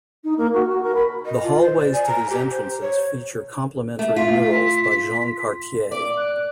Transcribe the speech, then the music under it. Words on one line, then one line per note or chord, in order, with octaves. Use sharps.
The hallways to these entrances feature complementary murals by Jean Cartier.
D#4
A#3
F#4
F#4
A#4
B5
D#5
F4
C5
D5
G#5
A#5
G4
C5
C#5
A3
F4 B6
D5 D6
F#6